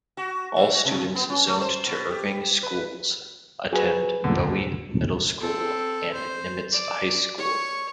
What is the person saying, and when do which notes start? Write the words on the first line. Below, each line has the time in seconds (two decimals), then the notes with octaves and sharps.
All students zoned to Irving schools attend Bowie Middle School and Nimitz High School.
0.17 F#4
0.56 E3
0.74 F#4
0.85 C3
1.15 B3
1.30 C#4
1.47 A3
1.61 C5
1.86 B2
2.11 G4
2.63 B4
3.73 F#3 G#4 B4 G#5
4.24 A#2 D3
5.40 C4 A4
6.13 C5
6.72 D5
7.38 C#5 C#6